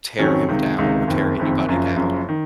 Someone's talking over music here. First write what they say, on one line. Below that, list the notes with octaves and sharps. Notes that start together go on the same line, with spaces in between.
tear him down or tear anybody down
F2 D#3 F#3 C#4
C#2 C3 D#3
C#2 C3 D#3
F#1 F2 D#3
F#1 F2 D#3
F#1 F#2 F3
F#1 F#2 F3
D#3